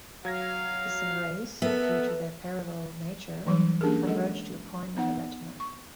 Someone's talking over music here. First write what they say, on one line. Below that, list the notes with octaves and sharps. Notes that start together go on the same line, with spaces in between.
Distant rays, due to their parallel nature, converge to a point on the retina.
F#3 F5 G#6 A#6
B3 A4 A#4 E5
E3 F#3 G3 D#4
A#3 C#4 D4 G4 G#4 A#4
G#3 A4 D#5 F#5
B3 D#4 F#5
C#6